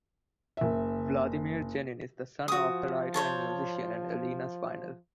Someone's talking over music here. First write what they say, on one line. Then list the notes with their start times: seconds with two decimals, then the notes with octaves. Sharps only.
Vladimir Genin is the son of the writer and musician and Elena Spinel.
0.57 F#1 E5
2.48 F3 F#4 D#6
3.14 C5 C#5 A5